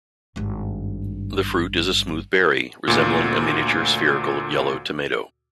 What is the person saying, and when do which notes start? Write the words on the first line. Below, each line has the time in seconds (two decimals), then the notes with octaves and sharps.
The fruit is a smooth berry, resembling a miniature, spherical, yellow tomato.
0.36 G#1 G2
2.87 D2 A#2